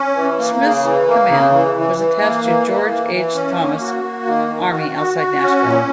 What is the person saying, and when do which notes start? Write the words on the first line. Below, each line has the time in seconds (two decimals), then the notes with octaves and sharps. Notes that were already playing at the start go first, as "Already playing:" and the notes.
Smith's command was attached to George H. Thomas' army outside Nashville.
Already playing: C#4
0.16 E3
0.39 A#3
0.62 C#3
0.84 E3
1.08 A#3
1.29 C#3
1.53 E3
1.75 E3
1.99 E3
2.21 A#3
2.44 E3
2.67 A#3
2.89 E3
3.13 E3
3.35 C#4
3.58 A#3
3.81 F#4
4.03 A#3
4.27 D#3
4.49 D#3
4.72 F#4
4.95 F#4
5.17 F#4
5.41 C#4
5.64 A#2